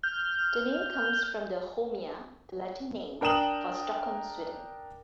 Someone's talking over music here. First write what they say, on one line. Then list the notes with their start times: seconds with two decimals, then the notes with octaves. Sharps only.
The name comes from the "Holmia", the Latin name for Stockholm, Sweden.
0.03 F6 G6
3.21 D4 A#4 G5 D#6 E7 F#7